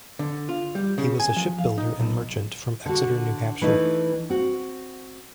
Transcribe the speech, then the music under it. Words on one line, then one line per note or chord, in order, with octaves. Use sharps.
He was a ship builder and merchant from Exeter, New Hampshire.
D3
F4
G3
C#3
G#5
F3
F5
D#4
B1
D3 F#4
E3 A3 D#4
C4 F#4